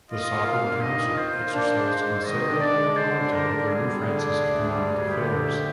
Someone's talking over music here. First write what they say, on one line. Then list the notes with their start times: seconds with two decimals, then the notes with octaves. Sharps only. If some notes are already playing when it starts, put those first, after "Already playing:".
The Sovereign Council exercised considerable authority over New France's economic affairs.
0.10 F4 D#5
0.34 A#3
0.46 F5
0.58 G2
0.81 D#3 D#5
1.05 F4
1.17 C5
1.29 A#3
1.53 D4 C5
1.77 G#3
2.01 G#2
2.25 D#3 D#5
2.48 D4
2.60 D5
2.73 G#3
2.96 D3 C5
3.20 D4
3.33 A#4
3.44 D3
3.68 G3 G#4
3.92 D3
4.16 D4
4.40 D2
4.63 G3
4.87 D2
5.11 D3 G4
5.35 D2